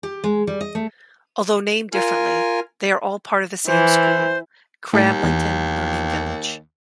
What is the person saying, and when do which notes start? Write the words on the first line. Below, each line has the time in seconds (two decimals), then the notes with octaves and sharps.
Although named differently, they are all part of the same school; Cramlington Learning Village.
0.03 G4
0.24 G#3
0.47 G3
0.61 D#5
0.75 A3
1.93 F4 A#4 G#5 F6
3.67 E3 C5
4.93 D#2 A2
5.23 E2